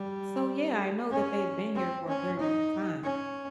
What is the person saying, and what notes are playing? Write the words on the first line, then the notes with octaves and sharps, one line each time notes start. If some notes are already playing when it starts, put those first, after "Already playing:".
So, yeah, I know that they've been here for a very long time,
Already playing: G3
C#4
C4
C#4
D#4
C#4